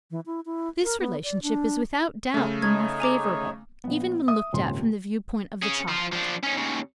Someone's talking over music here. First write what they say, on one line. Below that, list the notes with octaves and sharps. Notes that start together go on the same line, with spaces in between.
This relationship is without doubt the more favorable, even when looked at from the viewpoint of the child.
E3
E4
E4
A#4
B3
D5
D4
C#3 A3
D#4 C#5 G#6
G#5 A#5 D6
A#1 B3
E5 D#6
D#1 G#1 C#3 C6
C#4 G#4
F3 F4
F3 D4
C#4 D#4
D#2 C#3